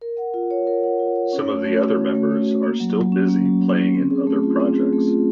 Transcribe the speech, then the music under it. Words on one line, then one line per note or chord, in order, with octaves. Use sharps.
Some of the other members are still busy playing in other projects.
A#4
F#5
F4
C#5
A#4
F#5
F4
C#5
C#4
A3
A3
F#4
C#4
A3
A3
F#4
A#3
F#3
F#3
C#4
A#3
F#3
F#3
C#4
C4
G#4
A3
F4
C4
G#4
A3
F4